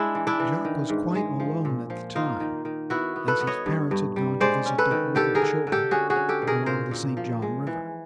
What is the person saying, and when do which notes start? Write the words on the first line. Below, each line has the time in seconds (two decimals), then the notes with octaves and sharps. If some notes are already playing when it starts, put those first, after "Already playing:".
Jacques was quite alone at the time, as his parents had gone to visit their older children along the St. John River.
Already playing: G#3 D4 E4
0.15 E3
0.27 D4 E4
0.40 E3
0.65 D#3
0.90 G#2
1.15 G#3
1.40 F3
1.65 A#2
1.90 F3
2.15 A#3 D#4 F4
2.40 D#3
2.65 D#3
2.90 B3 E4 F#4
3.16 B3
3.28 A4 B4
3.40 B3
3.47 C#5 D#5
3.66 G2
3.91 G2
4.16 G3
4.40 G#3 C5 D5
4.66 C#4
4.78 A4 B4
4.91 D#3
5.15 D3 G4 A4
5.35 G#4 A#4
5.42 D3
5.67 D3
5.72 G4 A4
5.91 C#4 F#4 G#4
6.10 F#4 G#4
6.16 C#4
6.29 G4 A4
6.42 B2
6.47 G#4 A#4
6.66 A#2 A#4 C5
6.91 A#2
7.17 F3
7.42 G#3
7.67 E3